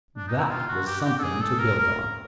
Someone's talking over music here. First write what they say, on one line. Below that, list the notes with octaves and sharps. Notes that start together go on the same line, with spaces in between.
That was something to build on.
D4
D#4
E4
F4
F#4
G4
F#4
G4
A4
G#4
A4
A#4
A#4